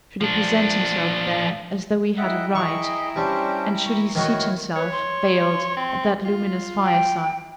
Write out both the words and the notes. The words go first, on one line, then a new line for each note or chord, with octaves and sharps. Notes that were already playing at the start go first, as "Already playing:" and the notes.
Should he present himself there, as though he had a right, and should he seat himself, veiled, at that luminous fireside?
F3 D4
E4 D#5 E5 F#5 G5 A#5
G#4 D#5 C#6
G3 C#4 D4 C5
C#6
D#3 E3 E4 F#4 C#5 C#6
B4 C#5
C6
C4
F4
G5